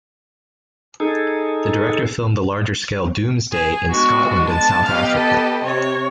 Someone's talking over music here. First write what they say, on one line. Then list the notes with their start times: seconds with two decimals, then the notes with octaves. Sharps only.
The director filmed the larger-scale "Doomsday" in Scotland and South Africa.
1.00 D#4 G#4 A4
3.52 G#4
3.90 G#3 B3 D4 F#4
4.46 A5
4.86 B3 G4 D#5 F5
5.16 A4
5.64 C3 C4 C#5